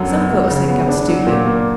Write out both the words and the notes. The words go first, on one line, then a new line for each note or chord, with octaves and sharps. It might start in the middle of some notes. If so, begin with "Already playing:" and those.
Some folks think I'm stupid.
Already playing: F#2 D3 F#3
B3
F#3
C#3
B3
D4
F#3
A#2
A#3